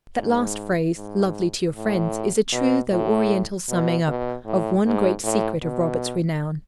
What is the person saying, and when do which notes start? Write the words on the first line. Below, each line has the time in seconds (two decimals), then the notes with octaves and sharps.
That last phrase, "lovely to your friends," is a true though Oriental summing-up of one great secret of Roberts' renown.
0.19 G#2
0.97 G#2
1.75 A2
2.52 B2
2.91 A2
3.69 B2
4.08 B2
4.46 A2
4.85 G#2
5.24 A2
5.62 B2